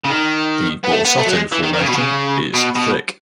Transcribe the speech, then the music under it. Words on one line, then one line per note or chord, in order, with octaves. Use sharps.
The Borsato Formation is thick.
C#3
D#3
B3
A3
B3
A3
F#3
G#3
E3
D#3
D#3
C#3
B2
C#3
B2
B2